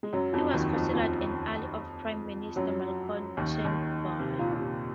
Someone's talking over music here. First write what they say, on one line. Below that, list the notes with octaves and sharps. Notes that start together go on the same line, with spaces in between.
He was considered an ally of Prime Minister Malcolm Turnbull.
G#3
F#2 F#3
F2 F3
D#2 D#3
F2 F3
F2 F3
F#2 F#3
D#2 D#3
D#2 D#3
C3
A#2
A#2
C3